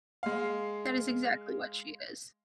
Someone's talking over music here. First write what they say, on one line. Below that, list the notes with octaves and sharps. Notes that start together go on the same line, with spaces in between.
That is exactly what she is.
G#3 F5